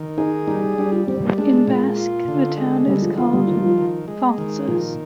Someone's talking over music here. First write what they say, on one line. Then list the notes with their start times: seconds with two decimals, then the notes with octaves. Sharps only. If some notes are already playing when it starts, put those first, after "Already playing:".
In Basque the town is called "Faltzes".
Already playing: D#3
0.17 D#4 G#4
0.47 G3 D#4
0.62 D#4
0.78 G3 D4
0.92 F4
1.07 G3 C4
1.22 A#3
1.38 G#3 D4
1.53 G#3
1.67 A#2
1.98 F4
2.28 D3
2.58 G#3
2.87 D3 G3
3.02 F3
3.18 F3 F4
3.33 G3
3.48 D#3 F3
3.56 G3
3.65 F3
3.78 D#3
4.08 G#3
4.38 D#3
4.68 A#2 F3